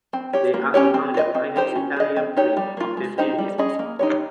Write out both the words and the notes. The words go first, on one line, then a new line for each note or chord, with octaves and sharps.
They are among the finest Italian prints of the period.
C4
G4 C#5
A#3
C#4 G4 C#5
C4
F4 C5 D#5
C4
D#4 G4 C5
C#4
G#4 D#5
C4
D#4 G4 C#5
G3
A#3 F4
G#3
D#4 G4 C5 D#5
G3
C#4 G#4 D#5
A#3
D#4 G4 C#5